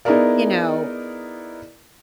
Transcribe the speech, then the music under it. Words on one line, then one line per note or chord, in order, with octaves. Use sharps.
you know
B3 D#4 E4 G#4 A#4 D5